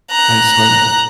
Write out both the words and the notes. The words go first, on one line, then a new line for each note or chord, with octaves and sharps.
And son.
A#5 F#6